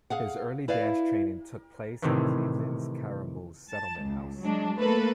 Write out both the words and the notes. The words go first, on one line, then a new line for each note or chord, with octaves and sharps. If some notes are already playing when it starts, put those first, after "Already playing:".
His early dance training took place at Cleveland's Karamu Settlement House.
G#4 F5 F#5
E4 B4 D5 F5
A2 C3 D#3 E3
A5
C#2
F#3 G#3 D4
A3 A#3 A4 B4